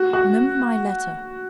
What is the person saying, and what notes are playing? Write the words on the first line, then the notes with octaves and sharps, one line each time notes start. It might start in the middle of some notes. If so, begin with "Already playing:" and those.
Remember my letter.
Already playing: F#4
F#4